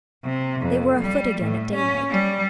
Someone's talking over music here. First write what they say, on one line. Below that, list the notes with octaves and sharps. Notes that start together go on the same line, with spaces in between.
They were afoot again, at daylight.
C3
F2
G3
A2
C#4
G3